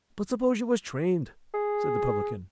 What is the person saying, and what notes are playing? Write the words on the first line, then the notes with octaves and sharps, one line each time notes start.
"But suppose you was trained?" said the publican.
G#4